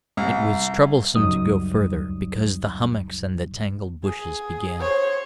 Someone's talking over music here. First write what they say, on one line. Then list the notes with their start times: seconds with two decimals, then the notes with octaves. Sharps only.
It was troublesome to go further because the hummocks and the tangled bushes began.
0.17 C2
1.16 C#2 F#2 F#3 G3 D#4 D#6
4.05 G#4
4.81 C5 C#5